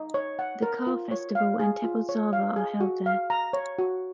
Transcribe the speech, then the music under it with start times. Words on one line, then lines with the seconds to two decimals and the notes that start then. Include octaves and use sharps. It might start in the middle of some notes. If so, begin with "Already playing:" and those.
The car festival and 'Teppotsava' are held there.
Already playing: D#4
0.14 C#5
0.39 F#5
0.63 A#4
0.87 F4
1.11 C#5
1.35 F5
1.59 G#4
1.84 F4
2.09 C#5
2.33 F5
2.56 G#4
2.81 F#4
3.06 F5
3.30 A#5
3.53 C#5
3.79 F#4